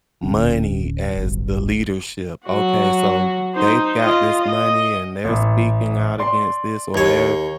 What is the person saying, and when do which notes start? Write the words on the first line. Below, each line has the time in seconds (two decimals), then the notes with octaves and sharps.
money as the leadership. Okay, so they've got this money and they're speaking out against this, or they're
0.23 D1 D3 C#4 D4
1.18 D1 G#1 D2 G2
2.46 F#3 F#4
3.55 D#4 C5
3.98 F4 D#5
4.40 D#5
5.24 A1
6.19 D5 C6
6.94 D#2 C#5